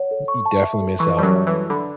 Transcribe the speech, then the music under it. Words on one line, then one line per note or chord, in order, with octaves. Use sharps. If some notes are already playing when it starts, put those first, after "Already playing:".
Y you definitely miss out.
Already playing: C#5 F#5
A4
C#6
A5
E5
A4
E3 C#6
G3 A5
F#2 F#3
E5
E3
A4
D3 B5